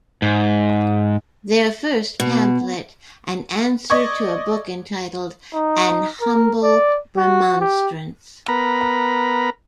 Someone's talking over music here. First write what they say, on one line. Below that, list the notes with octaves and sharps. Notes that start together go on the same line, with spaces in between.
Their first pamphlet, An Answer to a book entitled, An Humble Remonstrance.
G#2
B2
D5 D#5 C#6 G#6
D#4
A#4
D5
F#4
G4
B3 A#4 A#5 B5